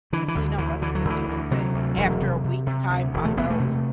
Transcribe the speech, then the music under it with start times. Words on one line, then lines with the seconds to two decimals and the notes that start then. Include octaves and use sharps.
You know what, it didn't do a thing. After a week's time on those,
0.13 D3 E3
0.28 E3
0.35 D2 D3
0.58 D2 E3
0.82 D3 E3
0.95 F#3
1.05 D2 E3
1.28 D2
1.51 C3 F#3
1.74 D2
1.97 E1
2.21 C3
2.44 C3
2.67 C3
2.90 D2
3.14 E1
3.25 A3
3.36 E1 B3
3.50 A3
3.60 C3